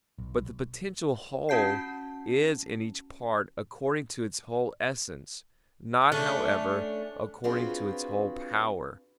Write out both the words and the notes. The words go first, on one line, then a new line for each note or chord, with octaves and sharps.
But the potential whole is in each part according to its whole essence, not, however, according to its whole power.
B1
C#4 F#4 A5 G6 C7
A3 C#4 D4
C4 D4 F4 F#4 G#4 B4